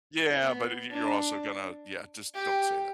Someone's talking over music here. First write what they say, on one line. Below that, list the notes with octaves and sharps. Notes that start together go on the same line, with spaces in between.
Yeah, but y you're also gonna yeah, just don't say
B3
D4
G4